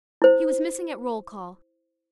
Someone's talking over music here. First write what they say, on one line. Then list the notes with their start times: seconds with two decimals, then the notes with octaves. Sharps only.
He was missing at roll-call.
0.22 E4 C5